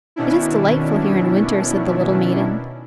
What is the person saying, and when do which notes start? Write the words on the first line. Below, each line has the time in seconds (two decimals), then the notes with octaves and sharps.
"It is delightful here in winter!" said the little maiden.
0.16 B2 D#3 C#4 D4 E4